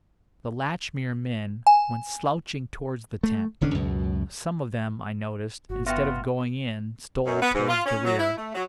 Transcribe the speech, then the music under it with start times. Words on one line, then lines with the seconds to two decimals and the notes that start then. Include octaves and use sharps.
The Latchmere men went slouching towards the tent; some of them, I noticed, instead of going in stole towards the rear.
1.67 G#5
3.23 A3
3.61 D#1 D3 C#4 D4
3.74 C#2 F#2 B2
5.69 G1 F#4
5.87 B3 F4 F#4 E5 G5
7.26 F#2
7.41 B3
7.54 G#2
7.69 F4
7.85 C#4
8.05 F#3
8.17 E4
8.37 A3
8.54 F#3